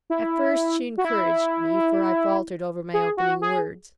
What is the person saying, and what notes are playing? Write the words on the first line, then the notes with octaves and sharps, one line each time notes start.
At first she encouraged me, for I faltered over my opening words.
E4
F#4
E4
G#4
F#4
G#4